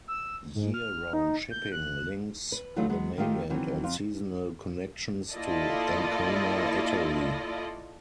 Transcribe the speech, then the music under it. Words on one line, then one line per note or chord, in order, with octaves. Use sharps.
Year-round shipping links the mainland and seasonal connections to Ancona, Italy.
E6
G#2
F6
D#4
G6
F#6
B4
E3 F#3 A3 D4 D#4 F4
F#3 G#3 B3
D#3 A3 F4 G4
D#3 E3 F#3 C4
F2 F4
A#3 E4 F4 A4 D5 D#5